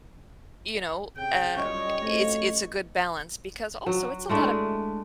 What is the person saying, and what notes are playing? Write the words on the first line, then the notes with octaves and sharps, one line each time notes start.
you know, um, it's it's a good balance because also it's a lot of
C3 C#4 G#4 G5
F#2 G3 C#4 F4 G4 C#5 D#5
F3 A3 C4 F#4 D#5
F#3
G#3 A3 D4 E4